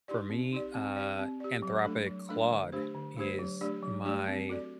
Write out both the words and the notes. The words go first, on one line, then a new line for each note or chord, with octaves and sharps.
for me, uh, Anthropic Claude is my
D#4 G4 D5
C4
D#4 G4 D5
C4
G4 D5
C4
G4 D5
F#3
A3 D4 A4
F#3
A3 D4 A4
D3
A3 D4 G4 C5
D3
A3 D4 G4 C5
F#3
A3 D4 G4 D5
F#3
A3 D4 G4 D5
C4
F#4 A4 D5